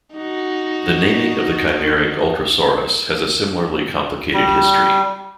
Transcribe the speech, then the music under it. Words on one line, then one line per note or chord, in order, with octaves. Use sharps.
The naming of the chimeric "Ultrasauros" has a similarly complicated history.
D#4 F#4
G3